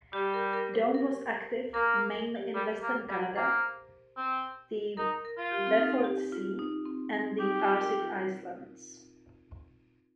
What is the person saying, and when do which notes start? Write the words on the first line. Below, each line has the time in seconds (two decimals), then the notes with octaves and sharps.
Dome was active mainly in Western Canada, the Beaufort Sea and the Arctic islands.
0.13 G3 G4
0.34 A#4
0.53 A#4
0.74 C5
0.94 A#4
1.74 A#3 A#4
1.95 A#4
2.14 A#4
2.36 G4
2.55 G3 A#4
2.82 A#3
3.10 G3
3.35 A#3 C5
4.17 C4
4.97 D#4 A#4
5.25 A#4
5.38 F4
5.51 G4
5.67 C4
5.78 D#4
6.04 G4
6.32 F4
6.59 D#4
6.86 C4
7.13 C4
7.40 D#4 G4
7.60 F4
7.79 A#4
7.99 F4